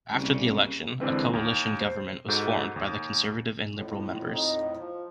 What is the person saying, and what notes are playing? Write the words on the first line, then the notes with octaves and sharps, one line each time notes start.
After the election, a Coalition government was formed by the Conservative and Liberal members.
C2 C#3 A#3
A#1 D3 E3 G#3 C4 B4
D#2
C5
G#2 F#4 A4 G6
D#2
F2 A2
D#4
F3